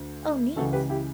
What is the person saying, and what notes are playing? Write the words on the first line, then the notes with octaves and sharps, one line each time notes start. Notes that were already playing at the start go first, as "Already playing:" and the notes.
Oh, neat.
Already playing: D2 D3
C#2 C#3 E3 F#4 A4
G4 B4
E4 G4